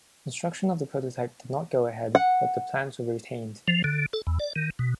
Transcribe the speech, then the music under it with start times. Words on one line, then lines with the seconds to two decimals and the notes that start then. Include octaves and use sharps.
Construction of the prototype did not go ahead, but the plans were retained.
2.15 F#5
3.68 F3
3.84 D3
4.13 A4
4.27 E2
4.40 D5
4.56 D#3
4.79 B2